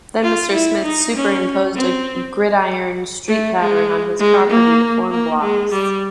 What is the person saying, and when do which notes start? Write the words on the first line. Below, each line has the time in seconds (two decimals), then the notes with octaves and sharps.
Then Mr. Smith superimposed a gridiron street pattern on his property to form blocks.
0.23 F4
0.53 E4
0.84 D#4
1.14 C#4
1.75 C4
3.28 A3
3.59 G#3
4.19 G#3
4.49 A#3
5.11 A#3
5.41 G#3
5.72 G3